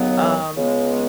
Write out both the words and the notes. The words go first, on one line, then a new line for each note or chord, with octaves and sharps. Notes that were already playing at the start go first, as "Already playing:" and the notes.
um, eh
Already playing: D#2 C#3 F#3 B3
C#2 C#3 G#3 B3